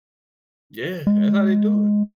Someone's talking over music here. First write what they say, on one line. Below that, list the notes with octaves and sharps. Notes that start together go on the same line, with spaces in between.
Yeah, that how they do it.
G#3